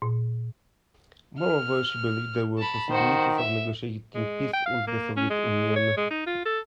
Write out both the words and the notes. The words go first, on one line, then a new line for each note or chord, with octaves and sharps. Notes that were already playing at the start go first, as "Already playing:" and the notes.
Moreover, she believed there were possibilities of negotiating peace with the Soviet Union.
A#2
F6
A5 B5
D#3 F#4 C5
E5
G#3
G5
F5
A#3
C#4
G#3
C#5
G#3
D#4
F4
A4